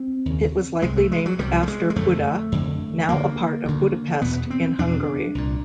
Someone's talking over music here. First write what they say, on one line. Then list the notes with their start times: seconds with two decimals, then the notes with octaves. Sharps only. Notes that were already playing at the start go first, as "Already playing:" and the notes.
It was likely named after Buda, now a part of Budapest, in Hungary.
Already playing: C4
0.26 D#2 C#3
0.82 C2 C3 G#3
0.97 A3
1.12 G#3
1.26 F#3
1.39 C2 C3 G3
1.63 A3
1.68 G#3
1.90 G#3
1.96 F2 D3 A3
2.52 F2 D3
3.09 D2 D3 A#3
3.65 D2 D3
4.22 E2 B2 B3
4.50 C4
4.78 E2 B2 D4
5.35 C2 A#2